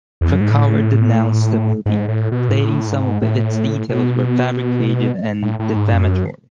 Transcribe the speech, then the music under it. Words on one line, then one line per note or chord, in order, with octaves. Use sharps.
Krakauer denounced the movie, stating some of its details were fabricated and defamatory.
E2
F#2
G#2
A2
G#2
A2
B2
G#2
A2
G#2
A2
B2
A2
A2
G#2
F#2